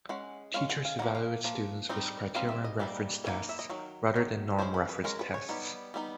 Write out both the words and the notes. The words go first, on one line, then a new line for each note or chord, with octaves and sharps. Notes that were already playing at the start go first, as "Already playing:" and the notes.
Teachers evaluate students with criterion-referenced tests rather than norm-referenced tests.
G#3 C#4 F#5
G#3 C#4 F5
F#5
F5
F3 A#3 D#4 F#5
F5
F3 A#3
D#3 G3 C4 D#4
D#3 G3 C4 F5
E5
D#5
E3 G3 A#3 D#4 D5
E3 G3 A#3 D#4
E5
D#5
D#3 F#3
D#3 F#3
G#3 C#4 C5
B4
B4
G#3 C#4 A#4
B4
C#5
G3 B3 D#4
G3 B3 D#4